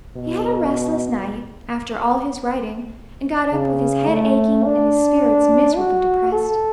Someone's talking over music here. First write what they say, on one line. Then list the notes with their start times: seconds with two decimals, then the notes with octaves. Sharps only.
He had a restless night, after all his writing, and got up with his head aching, and his spirits miserably depressed.
0.16 B2
3.52 C#3
4.08 A3
4.65 D4
5.76 F#4
6.32 A4